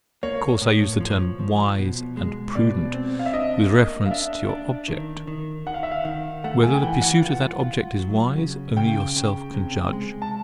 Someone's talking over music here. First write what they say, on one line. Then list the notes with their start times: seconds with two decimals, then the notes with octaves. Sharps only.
Of course I use the terms "wise" and "prudent" with reference to your object. Whether the pursuit of that object is wise, only yourself can judge.
0.23 A#3 C#5
0.62 A2
1.00 F3
1.39 F3
1.79 B2
2.17 G#3
2.55 B2 D5
2.94 C4
3.19 F5
3.26 E5
3.33 D4 D#5
3.72 A#3
4.06 F5
4.11 D4 E5
4.49 D4
4.88 D#3
5.27 D#3
5.66 D#3 F#5
5.74 F5
5.83 E5
5.92 F5
6.05 D#3
6.44 A3 F#5
6.63 G#5
6.75 G5
6.82 E3 F#5
7.02 F#5
7.21 F4 F#5
7.60 F4
7.99 F#3
8.37 C#3
8.77 C#3 G5
9.16 C#3
9.54 C3
9.93 G#3
10.22 A5